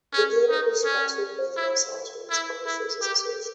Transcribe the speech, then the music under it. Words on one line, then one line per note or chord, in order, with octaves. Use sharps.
The game was sponsored by the Los Angeles Publishers Association.
C#4
D#4
C#4
E4
E4
E4
G4